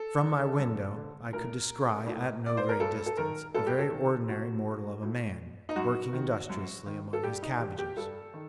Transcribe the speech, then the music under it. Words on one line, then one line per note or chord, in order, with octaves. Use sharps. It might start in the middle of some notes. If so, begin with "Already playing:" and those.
From my window I could descry, at no great distance, a very ordinary mortal of a man, working industriously among his cabbages.
Already playing: A4
D3
F#2
D3
A2 A#4
A2
D5
C5
A#4
G2 A4
A4
D#3 A#4
G2 A4
G4
A4
D#3
A2 F#4
A2
D#4
F#2 F#4
D#3
F#2
D#3
A4
G2 G4
D#4
D#3 G4
G4
G2 A4
D#3